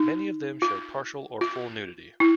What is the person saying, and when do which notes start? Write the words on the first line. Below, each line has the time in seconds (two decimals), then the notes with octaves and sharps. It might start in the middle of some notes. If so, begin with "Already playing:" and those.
Many of them show partial or full nudity.
Already playing: D#4
0.62 F4
1.41 F4
2.20 E4